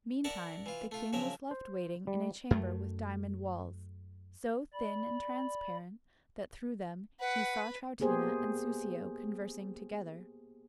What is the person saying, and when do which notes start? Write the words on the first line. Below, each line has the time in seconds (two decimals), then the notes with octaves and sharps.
Meantime the king was left waiting in a chamber with diamond walls, so thin and transparent, that through them he saw Troutina and Soussio conversing together.
0.24 A#4 D5 E5 F#5 A5
0.66 E3 F4
0.91 A3 F4
1.13 C#3 F3 F#3 A#4 E5
1.51 C5
2.07 G3
2.51 F#2 A3
4.73 D5 B5
7.20 B4 F#5
8.00 A#3 B3 G4 G#4 C5